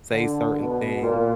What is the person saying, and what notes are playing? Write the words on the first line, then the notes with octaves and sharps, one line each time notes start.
say certain things,
D3
B2
A#2